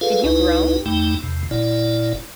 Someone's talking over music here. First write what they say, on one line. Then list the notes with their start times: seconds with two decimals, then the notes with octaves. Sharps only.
Did you groan?
0.01 F4 G#4 A4 B4 F5
0.24 C#2 D#4 E4 B4
0.86 E2 G2 A3 D#4 G5
1.23 E2 C3
1.51 F#1 A#2 E4 D5